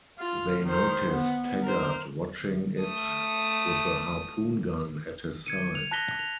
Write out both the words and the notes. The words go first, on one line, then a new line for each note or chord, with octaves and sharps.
They notice Taggart watching it with a harpoon gun at his side.
F4
D#3 C5
B3
A#4 C5
A3 D#6
G#6 C#7 D#7
F7
A5 F#6 A#6 B6 G7
F7